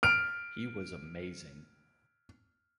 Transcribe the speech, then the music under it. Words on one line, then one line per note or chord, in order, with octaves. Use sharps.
He was amazing.
F6 D7